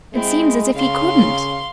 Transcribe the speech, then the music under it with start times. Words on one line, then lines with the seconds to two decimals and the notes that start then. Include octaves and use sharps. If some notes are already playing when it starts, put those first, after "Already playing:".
"It seems as if he couldn't."
0.13 G#3 C4 E4
0.75 C#3 F5 C6